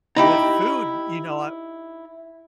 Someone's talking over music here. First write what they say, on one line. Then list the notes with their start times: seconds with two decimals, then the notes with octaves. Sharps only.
With food, you know I
0.16 D#4 E4 G4